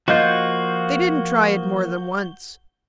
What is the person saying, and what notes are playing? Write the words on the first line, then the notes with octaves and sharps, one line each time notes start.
They didn't try it more than once.
F3 A#3 F4 F#4 D#5 G6